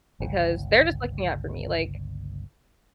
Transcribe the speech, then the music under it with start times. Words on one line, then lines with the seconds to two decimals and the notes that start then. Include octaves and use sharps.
because they're just looking out for me. Like,
0.20 G1 C#2